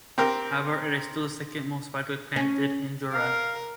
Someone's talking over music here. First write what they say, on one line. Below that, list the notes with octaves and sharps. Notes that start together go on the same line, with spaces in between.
However, it is still the second most widely planted in Jura.
C4 G4 A#4
C#4
A#4 F5